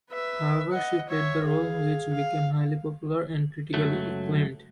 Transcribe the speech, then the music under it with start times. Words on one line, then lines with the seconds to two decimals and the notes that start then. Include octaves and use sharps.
However she played the role which became highly popular and critically acclaimed.
0.10 B4 E5
0.72 D#5 F#5
1.09 C#5 E5
1.45 G#4 F5
2.13 F5
3.74 C#2 F#2 F#3 A3